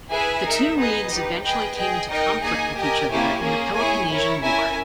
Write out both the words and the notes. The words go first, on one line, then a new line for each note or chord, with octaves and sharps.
The two Leagues eventually came into conflict with each other in the Peloponnesian War.
E4 G#4 B4 E5 G#5
D#4 A#4 E5
B3 D#4 G#4 B4 D#5
D#4 G4 B4
G#4 B4 D#5 G5
G#4 D#5 G5
D#4 A#4 D#5 G5
A#3 D#4 G#4 D#5 G#5
G4 A#4 D#5 G#5
A#3 E4 G4 C#5 G#5
A#3 C#4 G#4
E4 G#4 C#5 G#5
E4 A#4 C#5
C#4 E4 A#4 E5 G#5